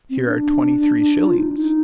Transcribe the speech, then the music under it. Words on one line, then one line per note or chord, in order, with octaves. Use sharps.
Here are twenty-three shillings.
C4
D4
F4
D#4
D4
D#4